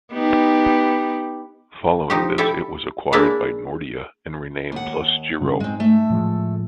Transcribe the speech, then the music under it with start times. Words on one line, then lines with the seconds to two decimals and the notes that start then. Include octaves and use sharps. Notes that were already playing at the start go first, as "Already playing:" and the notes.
Following this it was acquired by Nordea and renamed PlusGirot.
0.12 B3 D#4 G4
2.10 F3 D#4 G4
2.38 E4 G4 A4 E5
3.13 G#3 A#3 D4 E4 D5 E5
4.72 D#2 F#5
5.41 G2 C#3
5.60 G#2 G#3 C4
5.80 A3 E5
6.10 A2 F3 G#3